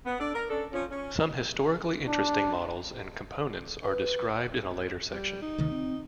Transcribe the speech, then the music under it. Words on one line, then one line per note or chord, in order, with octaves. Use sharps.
Some historically interesting models and components are described in a later section.
B3
D4 A4 D5
A#4
C#4 D4 A4
F3 C#4
C#4
D4
B4
G3
D#4
D2 C3 D#3
C4